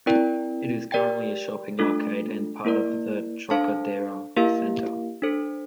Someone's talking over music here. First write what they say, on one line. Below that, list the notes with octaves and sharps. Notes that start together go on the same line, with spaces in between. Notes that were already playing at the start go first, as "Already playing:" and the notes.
It is currently a shopping arcade and part of the Trocadero Centre.
C4 E4 A#4 D5 G5
G4 A#4 D5 G5
A3 D4 F4 A4
A#3 E4 A#4 D5
D4 A4 C5 F5 A5
A#3 E4 G4 A#4 F5
D4 A4 C5